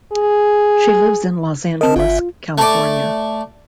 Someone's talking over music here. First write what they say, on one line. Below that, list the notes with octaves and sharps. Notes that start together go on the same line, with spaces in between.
She lives in Los Angeles, California.
G#4
C4 A#4 D#5 A5
G1 F4 E5
A3 D5